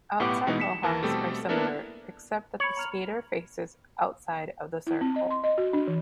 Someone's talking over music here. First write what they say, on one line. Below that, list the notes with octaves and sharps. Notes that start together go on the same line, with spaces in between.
Outside mohawks are similar, except that the skater faces outside of the circle.
B1 A2 B3 G4 F#5 D6
B2 E3 G#3 B3 D#4
B6 C#7 E7
D#2 E3 A#4 A5 A#6
B2 G3 A3 C4 G4 A4
A#3 B3 D4 E4 A4 A#4
C#5 B5 F#7
A#5 F6 F7
E4
C4
D#5
C6
D#5
F#4
D4
E3